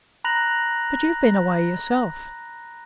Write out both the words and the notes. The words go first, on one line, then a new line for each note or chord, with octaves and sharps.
But you've been away yourself.'
A#5 B5 F#6 A#6 F7 F#7